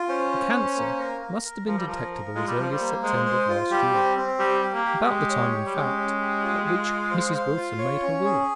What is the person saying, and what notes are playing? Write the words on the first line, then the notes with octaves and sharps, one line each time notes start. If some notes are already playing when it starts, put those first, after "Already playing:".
The cancer must have been detectable as early as September of last year; about the time, in fact, at which Mrs. Wilson made her will.
Already playing: F4
C#4 C5
C5
C5
A#3
A#4
A#4
A#4
F3 A#4
G3
F3 A#4
A#4
G#3 F4
G3
F3 C5
G3
A#3
G#3 C5
C5
F4
G3 G4
C4
C4
G3 G4
G4
A#3
G4
G#3 G4
C#5
G4
G3
G#3 C#4
C#4
G4
F4
F4
F5
C5
F5
F4
C#5
C#4
G#4